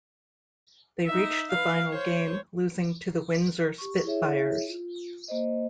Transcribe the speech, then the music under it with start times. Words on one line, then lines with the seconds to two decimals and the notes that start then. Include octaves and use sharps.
They reached the final game, losing to the Windsor Spitfires.
1.06 D#4 E5
1.51 B4 F5
1.88 C5 C#5
3.78 G4 C#6
4.04 E4 G#4 C#5 E5
4.67 F4
5.28 A#3 C5 D#5